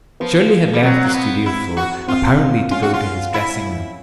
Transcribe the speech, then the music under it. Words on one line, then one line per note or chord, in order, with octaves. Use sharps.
Shirley had left the studio floor, apparently to go to his dressing room.
F3 B3
G3
F#3 C4
A#3
B3
E4
F#4
C4 F4
C#4 F4
F#4
F4
E4